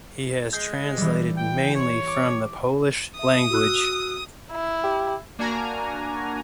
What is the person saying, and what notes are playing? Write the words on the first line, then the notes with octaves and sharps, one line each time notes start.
He has translated mainly from the Polish language.
G#3 G6 C7
E3 G3
G5
C#5
D6
E5 D#6
F#4 E6 F#6
E4
G4
A#3 D4 F#4 G#5 A#5